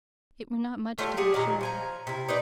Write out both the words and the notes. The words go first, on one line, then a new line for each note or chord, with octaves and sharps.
It were not much to be sure.
A3 F4 G4 C#5
G4 G#4 F#5 A5
A#2 D#3 F#3
F3 G#5 A#5
C3 E4
D#4 B4 D5